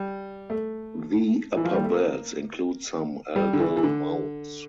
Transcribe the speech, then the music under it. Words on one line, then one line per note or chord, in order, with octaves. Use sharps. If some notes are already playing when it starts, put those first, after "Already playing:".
The upper beds include some algal mounds.
Already playing: G3
A3
E3
F3
G3
A3
A#3
G3
D3
E3
E3
D3